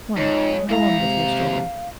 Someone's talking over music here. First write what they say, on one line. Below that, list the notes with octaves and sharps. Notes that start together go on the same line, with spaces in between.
"Well, go on with your story."
F2 G#3 D#4 C#5
D#2 E4 F5 A#5
C3